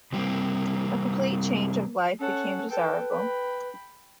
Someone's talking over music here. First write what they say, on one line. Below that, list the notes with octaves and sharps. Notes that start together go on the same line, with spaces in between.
A complete change of life became desirable.
C3 F#3 G3 A3 A#3 C4
C#4 A4 F#5
A4 B4 G5
G5 B5